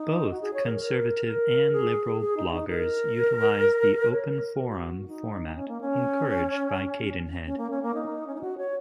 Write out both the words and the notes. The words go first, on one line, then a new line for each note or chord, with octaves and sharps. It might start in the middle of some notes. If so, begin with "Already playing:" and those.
Both conservative and liberal bloggers utilize the open forum format, encouraged by Cadenhead.
Already playing: D#4
F#4
G#4
C#5
A#4
A#4
A#4
G#4
G#4
D#4
D#4
A#4
C#5
A#4
F#4
D#4
C#4
A#3
C#4
C#4
A#3
C#4
A#3
D#4
C#4
D#4
F#4
C#5